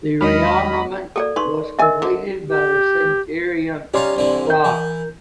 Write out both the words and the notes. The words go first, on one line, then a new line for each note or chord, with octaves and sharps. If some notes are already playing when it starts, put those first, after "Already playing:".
The rearmament was completed by the Centurion stock.
E2 D#3 F#3 G#3 D4 D#5 B5 F6
A#3 F#4 A4 D5 F#5
D#4 B4 C6 C#6
D4 A#4 D#5 E5 G#5
D3
G4
C#4 D#4 F4 G4 D5 C6
C2 D3 E3
A#4 G6
E3